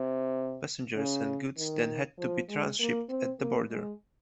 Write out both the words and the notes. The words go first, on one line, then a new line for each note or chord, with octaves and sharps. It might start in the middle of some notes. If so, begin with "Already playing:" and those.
Passengers and goods then had to be transhipped at the border.
Already playing: C3
C#3
D#3
F3
G#3
A#3
C4
A#3
G#3